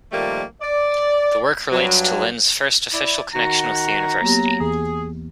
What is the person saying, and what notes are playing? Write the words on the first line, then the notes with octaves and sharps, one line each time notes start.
The work relates to Lin's first official connection with the university.
A#2 D#3 F3 G3 A3 A#3
D5
G2 F#3
E4 D5
D#3 F#4 A#5
F#3 A#3 B3 G4
E2 G#4